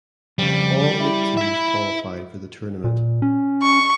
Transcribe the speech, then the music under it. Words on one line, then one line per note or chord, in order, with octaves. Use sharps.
All eight teams qualified for the tournament.
F2 C#3 G3
E4
E5 B5
A#2
C#4
C#6